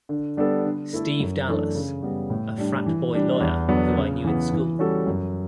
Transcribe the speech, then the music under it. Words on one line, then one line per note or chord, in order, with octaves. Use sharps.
Steve Dallas...a frat-boy lawyer who I knew in school.
D3
G3 B3 D4 A4
D3
A3 E4 A4
F#2
E3 A3 D4 A4
C#3
G3 B3
A2
G3 D4
E3
G3 D4
E2
D3 F#3 B3 D4
C#3
E3 B3
E3
G3 C#4 F#4 A4
F#2